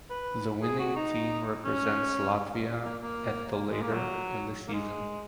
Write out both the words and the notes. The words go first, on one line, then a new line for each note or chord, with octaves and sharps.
The winning team represents Latvia at the later in the season.
B4
G#4
F#4
D#4
C#4
A#3
A#3
G#3
A#3
F#3
A#3
G#3